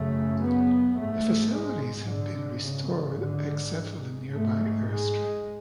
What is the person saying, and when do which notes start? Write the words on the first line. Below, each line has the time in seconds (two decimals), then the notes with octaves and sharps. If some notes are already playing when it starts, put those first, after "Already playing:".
The facilities have been restored except for the nearby airstrip.
Already playing: F#2 C#3 A3
0.42 B3
0.97 G#2 A3
1.53 G#3
2.08 G#2 D3
2.64 C#3
3.20 G#2 D3
4.31 G#2 A3
4.87 G#3